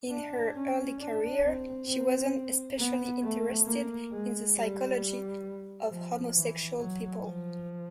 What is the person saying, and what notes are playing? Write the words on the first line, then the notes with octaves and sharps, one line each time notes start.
In her early career, she wasn't especially interested in the psychology of homosexual people.
D4
C#4
D4
C4
C4
B3
A3
A#3
G#3
G3
F3
E3
F#3
F3